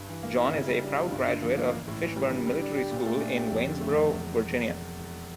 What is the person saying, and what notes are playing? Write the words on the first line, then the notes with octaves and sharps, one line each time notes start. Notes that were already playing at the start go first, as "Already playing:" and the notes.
John is a proud graduate of Fishburne Military School in Waynesboro, Virginia.
Already playing: G2
E3
A#3
E4
C#3
G3
D4
F4
G2
D3
F3
A#3
A1
A2
E3
G3
D3
G3
D4
G4
A#2
A3
D4
G4
F2
D3
A3
F2
E1